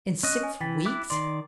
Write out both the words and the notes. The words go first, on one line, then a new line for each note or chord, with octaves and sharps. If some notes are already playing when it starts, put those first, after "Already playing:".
"In six weeks?"
C#4 D#5 F#6
G#5
E3 G5 A6 B6
E4 D6 F#6
D#3 D5 C6 C7